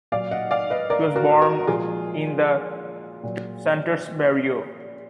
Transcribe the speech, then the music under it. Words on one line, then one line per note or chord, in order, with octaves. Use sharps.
He was born in the Santurce barrio.
A#2 F#3 D5 F5
D#5 F#5
D5 F5
B4 D#5
A#4 D5
F#4 A#4
F#4 A#4
A#2 F3 G#3 F4 G#4
A#2 F#3